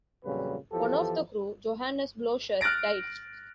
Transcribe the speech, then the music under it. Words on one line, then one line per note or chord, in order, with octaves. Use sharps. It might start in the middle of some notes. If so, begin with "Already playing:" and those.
One of the crew, Johanes Blocher, died.
F2 A#2 C#3 F#3 G3 B4
E2 E3 F3 G4 A4
F6 F#6 A6 A#6 D7